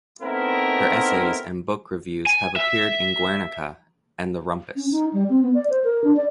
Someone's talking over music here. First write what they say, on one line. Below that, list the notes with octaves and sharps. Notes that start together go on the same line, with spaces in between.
Her essays and book reviews have appeared in Guernica and The Rumpus.
A3 B3 C4 D#4 E4 A#4
G#5
E5
C#4
D#4
G3
C4
B3
D5
C5
A#4
D4
D5